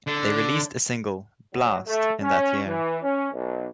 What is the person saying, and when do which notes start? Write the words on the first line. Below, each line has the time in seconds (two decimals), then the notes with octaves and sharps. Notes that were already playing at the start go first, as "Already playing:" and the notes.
They released a single, "Blast", in that year.
0.07 D3
1.55 F#3
1.87 A3
2.21 C#4
2.66 E3
3.03 C#4
3.32 B1